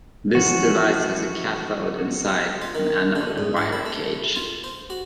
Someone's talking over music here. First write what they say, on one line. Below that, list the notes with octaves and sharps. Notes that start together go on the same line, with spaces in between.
This device has a cathode inside an anode wire cage.
E3 F3 C#4 F#4
F4
D#3
D3
G#2
D4
E4
A3
F4
C5
F#4